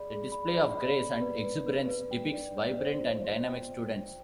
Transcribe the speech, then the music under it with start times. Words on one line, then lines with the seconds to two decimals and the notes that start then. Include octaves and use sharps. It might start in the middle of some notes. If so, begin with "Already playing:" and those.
The display of grace and exuberance depicts vibrant and dynamic students.
Already playing: G#4 D5 B5
0.10 G#4
0.32 B5
0.54 D5
0.77 B5
0.99 D5
1.22 B4
1.45 B4
1.66 B4
1.89 B4
2.11 G5
2.33 D5
2.57 D5
2.79 C5
3.01 F4
3.24 C6
3.47 G5
3.69 C5
3.91 G5